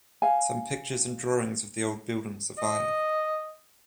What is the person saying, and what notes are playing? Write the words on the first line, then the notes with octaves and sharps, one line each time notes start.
Some pictures and drawings of the old building survive.
F5 G#5
D#5